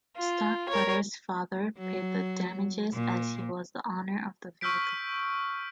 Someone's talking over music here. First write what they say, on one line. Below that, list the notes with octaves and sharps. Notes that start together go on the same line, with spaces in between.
Starkweather's father paid the damages, as he was the owner of the vehicle.
F4
A#4 C#5
F#3
A#2
C#6 E6 F6 G6 B6 D7